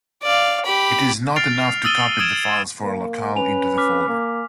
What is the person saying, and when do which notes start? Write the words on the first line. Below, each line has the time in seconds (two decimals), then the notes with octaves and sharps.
It is not enough to copy the files for a locale into the folder.
0.23 D5 F5
0.65 G4 B5
1.36 F6 A6 C7 D7 F7
1.84 D#6 E6 A6 D#7 G7
2.19 D#6 E6 G#6 D7 E7
2.83 A#3
3.36 C#4 B4 G#5 F7
3.78 D6 F6 B6
4.08 A#3